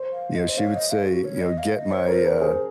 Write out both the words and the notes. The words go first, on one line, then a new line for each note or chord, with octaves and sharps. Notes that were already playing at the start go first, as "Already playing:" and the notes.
you know, she would say, you know, "Get my, uh,
Already playing: C5
F5
D#5
C5
C#5 F5
D#5
F5
G#4
F#4
C#5
D#5
F5
D#5
C5 C#5
A#4
C5
A#4
C5
G#4